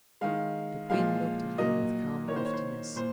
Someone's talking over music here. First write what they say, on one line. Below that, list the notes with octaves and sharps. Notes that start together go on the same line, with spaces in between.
The queen looked at him with calm loftiness.
D#3 G#3 F5
A#2 F3 G#3 F5
A#2 F#3 A#3 D#5
D#3 A#3 C#5
C5
C#5
C5
A#2 C5